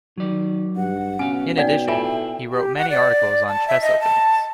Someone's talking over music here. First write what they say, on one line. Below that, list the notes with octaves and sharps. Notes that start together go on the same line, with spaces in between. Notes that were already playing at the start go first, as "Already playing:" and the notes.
In addition, he wrote many articles on chess openings.
D#3 F#3 D5
G2 F#5
B2 C#4 F5 G#5
D#4 D5 F#5 G5
E4 F4 A4 E5 G#5
G4
F#5
D5
A5
E5
D#5
A5